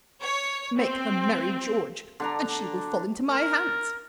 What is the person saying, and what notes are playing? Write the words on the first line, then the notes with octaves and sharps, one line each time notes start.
Make her marry George, and she will fall into my hands.
C#5
C4
D3 D4 A#5
A#4